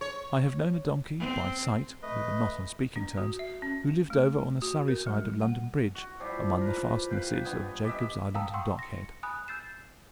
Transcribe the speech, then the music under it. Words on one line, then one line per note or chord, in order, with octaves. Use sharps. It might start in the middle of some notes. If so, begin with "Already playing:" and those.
I have known a donkey--by sight; we were not on speaking terms--who lived over on the Surrey side of London-bridge, among the fastnesses of Jacob's Island and Dockhead.
C#5
C4
A3 B4 D#5
D4
F#4
E5
C#4
A3
F#4
A#4
G3
F#5
F#4
F3 G3 E4 G4
A#4 B4
B4 F5 G5
G2 B3 G#5
G4 D#5 E5
F5 G5 A5 A#5 D#6 E6
F#5 G5 C6 C#6 D#6 E6
A#6 C#7
G#5 B5 D#6 F#6
E6 G6 A6 C7 E7